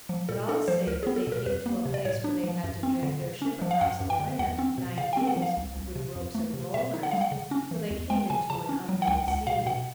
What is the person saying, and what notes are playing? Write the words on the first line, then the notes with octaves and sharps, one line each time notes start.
But all say that they came to a place where they had to drag their ship across the land nine days with ropes and rollers, till they came into an unknown sea.
F3
A#2 A4
D4 A4
F3 C5
C#2 A#4
B3 G#4
A4
B2 A#4
F2 B4
A#3
C3
D5
A2 C#5
D4
F3
F#2
C4
D3
C#3
C#4
F3
F5
F#2 F#5
F#2
G5
D3
E2 F#5
C4
B2
C#3 F5
C4 G5
F#5
F3
F5
C2
C2
C3
F2
A3
C3
B2 E5
D#4
F#5
G3 F5
F#5
C#3
C#4
E3
E2
G#3 G5
C#3 G#5
C#3 A5
C#4
F#3
F#5
C#2 G5
C#2 F#5
B2 F5
B2 F#5